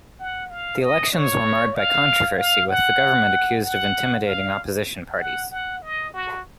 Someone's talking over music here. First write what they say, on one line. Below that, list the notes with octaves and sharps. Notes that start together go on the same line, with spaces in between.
The elections were marred by controversy, with the government accused of intimidating opposition parties.
F#5
F5
D#5
C#5
F5
F5
F#5
F#5
F5
F#5
F#5
D#5
F#4